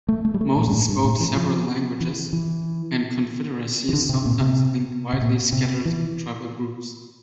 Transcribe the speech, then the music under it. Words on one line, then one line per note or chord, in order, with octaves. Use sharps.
Most spoke several languages, and confederacies sometimes linked widely scattered tribal groups.
A3
A3
G3
A3
A#2
G2
A2
G2
A2
E3
F3
E3
E3
E3
D3
C3
A#2
C3
C3
A#2
C3
E3